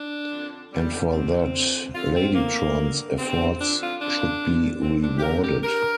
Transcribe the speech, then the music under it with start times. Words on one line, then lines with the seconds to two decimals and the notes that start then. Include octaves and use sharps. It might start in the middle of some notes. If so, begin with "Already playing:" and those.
And for that, Ladytron's efforts should be rewarded.
Already playing: D4
0.31 F2 D3
0.72 F2 D3 G3
1.13 F2 D3 C4
1.54 F2 D3
1.95 F2 D3 F4
2.15 C4
2.35 F2 D3 A#3
2.77 G2 D3
3.18 G2 D3 C4
3.59 F2 D3 D4
3.80 F4
3.99 F2 D3 D4
4.41 G2 D3
4.81 G2 D3 C4
5.03 D4
5.18 G4
5.23 G2 D3 A#4
5.43 G4
5.63 G2 D3 A#4